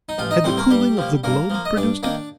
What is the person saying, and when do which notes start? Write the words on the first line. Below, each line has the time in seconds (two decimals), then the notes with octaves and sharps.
Had the cooling of the globe produced it?
0.09 D#4
0.18 A1 F3 F4
0.31 D#4 D#5
0.44 A2 G3 C4 C5
0.57 A#3 A#4
0.70 G2 G3 G4
0.97 F3 A#3
1.24 G2 A#3 A#4
1.50 F3 A#3
1.65 D#5
1.77 G2 D4 D5
2.03 D#3 A#3 D4 D5